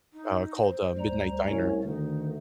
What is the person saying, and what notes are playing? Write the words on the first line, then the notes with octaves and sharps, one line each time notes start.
uh, called, uh, Midnight Diner,
D#4
C5
D2 G3 A#5
C2 A3 C#4 C#5
D2 D#3 A3 D#4